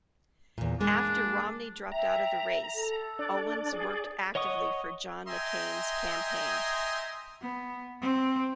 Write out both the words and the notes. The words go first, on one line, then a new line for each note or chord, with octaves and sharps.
After Romney dropped out of the race, Owens worked actively for John McCain's campaign.
E2 A#2
G#3 A#3 D4
E5 G5 A#5
A4
D4 D5
G#4 D5
C#5 D#5 F#5 C#6 D#6
D#5 E5 G5 G#5 A#5 C6
B3
C4